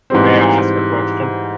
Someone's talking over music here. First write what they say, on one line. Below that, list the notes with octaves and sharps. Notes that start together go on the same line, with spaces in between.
May I ask a question?
G#2 E3 G3 C4